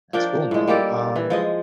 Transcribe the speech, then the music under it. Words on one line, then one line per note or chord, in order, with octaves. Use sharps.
that's cool, man. Um
F3 D4 A#4 G5
A2 G#3
G3 A#3 G4 A4
E3
F3 G#3 D#5